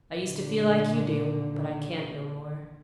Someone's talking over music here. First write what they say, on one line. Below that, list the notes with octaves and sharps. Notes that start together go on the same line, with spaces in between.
I used to feel like you do, but I can't no more.
A#2 D3